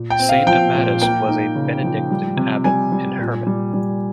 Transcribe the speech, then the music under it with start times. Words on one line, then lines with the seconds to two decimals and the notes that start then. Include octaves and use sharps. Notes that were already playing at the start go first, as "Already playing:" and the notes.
Saint Amatus was a Benedictine abbot and hermit.
Already playing: A#2
0.10 G5
0.19 C4
0.29 F5
0.47 F3 G5
0.75 A#2
1.02 A#3 G5
1.28 D#4
1.55 C#3
1.84 F3
2.10 G3
2.37 C3
2.64 G3 G#5
2.92 G3
3.19 A#2
3.47 G3
3.74 G3